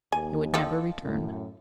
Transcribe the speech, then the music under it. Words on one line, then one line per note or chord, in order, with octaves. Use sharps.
It would never return.
D#2 G#5
D#3 F3 A4
F#2 A2